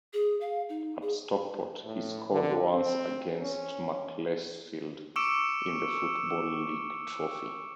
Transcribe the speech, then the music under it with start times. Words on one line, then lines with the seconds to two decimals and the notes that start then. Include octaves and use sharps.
At Stockport he scored once against Macclesfield in the Football League Trophy.
0.13 G#4
0.41 F5
0.69 D#4
1.02 G#4
1.84 A2
2.31 D3
2.74 C4
3.42 C#4
5.16 C#6 D6 E6 C#7 D7 E7